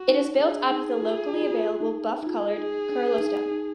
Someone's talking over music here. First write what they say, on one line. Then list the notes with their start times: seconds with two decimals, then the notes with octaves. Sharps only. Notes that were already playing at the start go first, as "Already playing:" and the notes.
It is built out of the locally available buff coloured Kurla stone.
Already playing: F#4
0.08 D#4
0.40 D4 G#4
0.71 D#4
1.02 F4
1.34 F4
1.42 F#4
1.51 F4
1.80 D#4
2.23 D#4
2.27 F4 G#4
2.58 D#4
2.89 D4
3.21 D#4
3.51 D#4